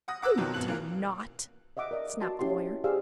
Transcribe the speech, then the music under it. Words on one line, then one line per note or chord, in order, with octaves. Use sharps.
"You do not," snapped the Lawyer.
F#5 D#6 A#6
F#5 D6 E6 F#6
F2 B2 D#3 F#3
G#1 B2 F#6 F#7
A#2 E3 A#3
D#5 E5 F#5 D6
A#4 D5 D#5
F#4 A5 C6
C#4 E4 G4 F#5 C6
G4 G#4 C5 D5 F5 E6